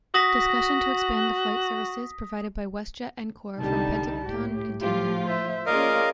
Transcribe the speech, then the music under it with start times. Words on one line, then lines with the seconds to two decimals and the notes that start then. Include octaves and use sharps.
Discussion to expand the flight services provided by WestJet Encore from Penticton continue.
0.14 F#4 D#6 A#6 B6
3.59 C2 D3 G3 D#4 A5
4.25 A2 G4
4.81 A2 F3 F4 G4
5.28 C5 E5
5.66 A#3 C#4 F4 G#4 A#4 D5 D#5 F5